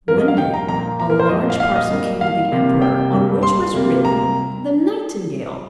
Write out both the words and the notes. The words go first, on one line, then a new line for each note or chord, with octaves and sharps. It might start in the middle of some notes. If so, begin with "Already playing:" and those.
One day a large parcel came to the Emperor, on which was written "The Nightingale."
G2 F3 A#3 A#4
D#5
F5
G5
A#5
A#2 F3 A#3 A#5
A#5
A#4
C5
A#2 F3 A#3 D#5
F5
F5
D#5
G2 G3 A#3
F5
C3 G3 A#3
G5
G2 G3 A#3
C6
C3 G3 A#3
A#5